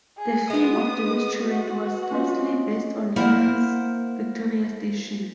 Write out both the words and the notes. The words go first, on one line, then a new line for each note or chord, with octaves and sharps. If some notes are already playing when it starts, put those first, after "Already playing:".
The theme of the restaurant was loosely based on London's Victoria Station.
G#4
G#3 B3 D#6
F#4
C#4 F4 D#5
A#3 E4 A#4 C5 F#5